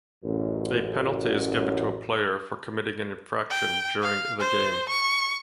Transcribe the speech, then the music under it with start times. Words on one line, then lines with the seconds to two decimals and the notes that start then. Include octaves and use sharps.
A penalty is given to a player for committing an infraction during the game.
0.24 A1 F#2
3.50 G5
4.02 F5
4.40 C5
4.89 C#6